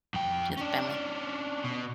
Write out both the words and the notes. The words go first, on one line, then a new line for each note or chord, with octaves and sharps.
to the family.
F2 G5
C#4 D4
B2